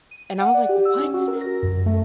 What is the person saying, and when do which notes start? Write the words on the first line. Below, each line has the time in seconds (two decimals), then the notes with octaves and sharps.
and I was, like, "What?"
0.11 D#7
0.40 F#5
0.54 D5
0.69 G4
0.85 E6
0.99 C#4
1.14 F#4
1.28 A#4
1.41 A#6
1.63 F#2
1.86 A3